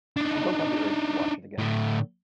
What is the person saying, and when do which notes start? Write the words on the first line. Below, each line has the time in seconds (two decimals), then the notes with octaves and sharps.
I don't have the urge to watch it again.
0.17 D4 D#4
1.58 A2 D3